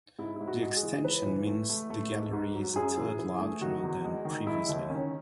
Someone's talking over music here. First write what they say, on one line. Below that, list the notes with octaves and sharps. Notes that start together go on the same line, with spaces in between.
The extension means the gallery is a third larger than previously.
G#2 E4
G#2 E4
F#4
G#3
G#4
E3
E3 B4
E3
A3
A3
A3
G#2
G#2
F#3
F#2 G#4
E3
E3
A3
D#3 F#4
E2
G#3
D#3
G#3 E4
D#2 D#4
D#3 C#4